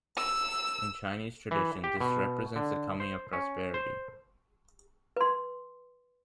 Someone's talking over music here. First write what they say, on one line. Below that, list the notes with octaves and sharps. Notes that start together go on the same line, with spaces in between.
In Chinese tradition, this represents the coming of prosperity.
E6
E3
G4
B2
D3
C5
C#4
C5
B4 C6